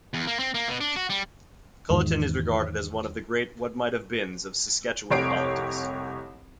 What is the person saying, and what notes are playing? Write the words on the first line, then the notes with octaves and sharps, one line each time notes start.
Culliton is regarded as one of the great "what-might have-beens" of Saskatchewan politics.
E2
A#3
C4
A#3
B2
D4
F#4
G3
E2 G#2 D#3
F1 C2 G4 C#5 C7 D7